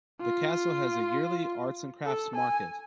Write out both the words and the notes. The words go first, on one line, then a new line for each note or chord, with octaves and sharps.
The castle has a yearly arts and crafts market.
F4
A4
G#5